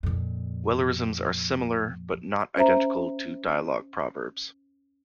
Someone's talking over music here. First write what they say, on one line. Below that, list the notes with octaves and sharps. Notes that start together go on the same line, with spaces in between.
Wellerisms are similar but not identical to dialogue proverbs.
F2 A#2
C#4 C5 E5 A#5